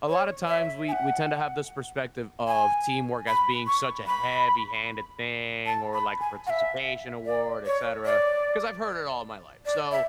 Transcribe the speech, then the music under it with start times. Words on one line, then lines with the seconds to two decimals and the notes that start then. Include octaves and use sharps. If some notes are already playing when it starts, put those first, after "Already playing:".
A lotta times, we we tend to have this perspective of teamwork as being such a heavy-handed thing or like a participation award, etcetera, 'cause I've heard it all my life. So,
0.08 C#5
0.48 E5
0.88 G#5
0.92 F#5
2.47 G#5
3.28 B5
3.67 C#6
4.07 B5
5.66 A5
5.93 B5
6.20 G#5
6.46 F#5
6.50 E5
7.25 D5
7.66 C#5
8.05 D5
9.65 D5
9.91 E5